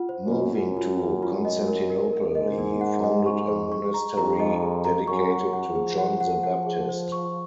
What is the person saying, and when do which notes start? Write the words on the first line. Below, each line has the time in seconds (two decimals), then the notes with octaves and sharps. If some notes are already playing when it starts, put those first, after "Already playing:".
Moving to Constantinople, he founded a monastery dedicated to John the Baptist.
Already playing: F4 F#5
0.09 C5
0.24 F#2
0.31 F4
0.54 F#2 F4
0.77 F4
1.00 F4
1.22 F4
1.45 D#5
1.68 A#4
1.90 A#4
2.13 A#4
2.35 G#2 D#5
2.58 D#4
2.81 F#5
3.04 D#5
3.26 C#6
3.49 G#4
3.72 C#6
3.94 A#5
4.17 F2 A#5
4.40 D#5
4.62 G#4
4.84 A#5
5.08 F#2 C#6
5.30 F#5
5.38 F#2
5.53 F#5
5.67 F3
5.75 G#4
5.98 F#5
6.20 F#5
6.43 F#5
6.66 G#4
6.89 C5
7.12 C#6